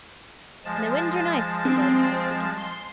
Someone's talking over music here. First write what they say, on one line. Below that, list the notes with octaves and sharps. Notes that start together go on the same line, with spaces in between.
"In the winter-nights--" the Gardener was beginning.
F3 G#3 A5
C4
C6